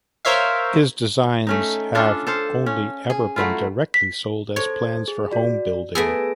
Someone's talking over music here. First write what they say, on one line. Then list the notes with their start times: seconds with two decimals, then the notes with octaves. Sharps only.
His designs have only ever been directly sold as plans for homebuilding.
0.25 A#4 C5 C#5 E5 F5
1.47 A3 C#4 D#4
1.95 C#4 D4 F4 A4
2.27 A4 C5 F5
2.66 C#4
3.10 G#4
3.36 F#3 A3 E4 F4
3.94 B6
4.56 A4 C5 C#5 G#6
5.08 G#4
5.32 F#4 D5
5.95 A3 B3 G#4 E6 A#6 D7